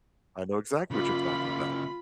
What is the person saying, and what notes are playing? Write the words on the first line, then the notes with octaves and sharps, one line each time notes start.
I know exactly what you're talking about.
C#3 A#3 F4 B5